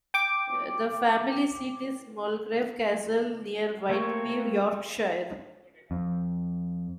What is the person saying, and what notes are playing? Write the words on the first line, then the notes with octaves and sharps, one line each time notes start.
The family seat is Mulgrave Castle near Whitby, Yorkshire.
G5 D6
A3 A#3 C4 C#5
F2